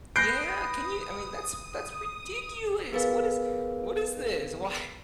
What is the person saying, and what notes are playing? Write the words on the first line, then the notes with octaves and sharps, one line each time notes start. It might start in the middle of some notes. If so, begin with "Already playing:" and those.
Yeah, can you I mean, that's that's ridiculous. What is what is this? Why
B4 D#6 F#6 G6 A#6 C7 D7
B3 G#4 A#4 B4 F5